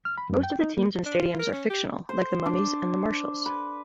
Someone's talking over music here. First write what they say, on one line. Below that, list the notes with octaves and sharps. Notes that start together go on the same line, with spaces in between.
Most of the teams and stadiums are fictional like the Mummies and the Marshalls.
F6
B5
F#2
G5
D#4
A#3
D4
F4
A#4
C#4
G4
C5
D4
B4